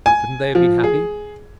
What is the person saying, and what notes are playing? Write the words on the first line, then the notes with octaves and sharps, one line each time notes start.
Shouldn't they have been happy?
G#5
F3
G#4